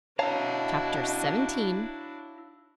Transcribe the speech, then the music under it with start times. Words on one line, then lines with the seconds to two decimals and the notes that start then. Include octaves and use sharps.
Chapter XVII.
0.19 B2 D4 E4 F#4 C#5 F5 A5 A#5